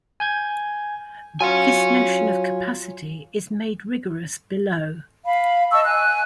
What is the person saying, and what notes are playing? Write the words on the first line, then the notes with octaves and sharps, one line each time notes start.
This notion of capacity is made rigorous below.
G#5 G6 G#6
F#3 F4 C#5 G#5
F5 B5
D#5 A5 C#6 E6
G#5 F#6